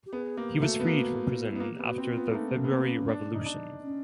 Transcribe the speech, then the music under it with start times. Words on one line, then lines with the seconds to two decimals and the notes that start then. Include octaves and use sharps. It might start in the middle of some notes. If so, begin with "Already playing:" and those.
He was freed from prison after the February Revolution.
0.06 G4
0.12 B3 G#4
0.37 A#3 G4
0.62 A3 F#4
0.80 B3
0.87 A#3
1.50 E4
1.56 B3
1.60 A#3 F4
1.74 B3 G4
1.85 F#4
1.98 C4
2.03 F#4
2.10 F4
2.17 B3
2.29 A#3
2.34 A3 D#4
2.47 C4
2.54 C#4
2.64 B3
2.71 A#3 C4
2.90 C#4
3.09 D4
3.35 D#4
3.46 D4
3.83 C#4